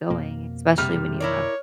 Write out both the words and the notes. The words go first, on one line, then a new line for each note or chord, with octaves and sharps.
going, especially when you have
F2 B2 A#3
C3 G3 F6
E4 A#4 C#5 D5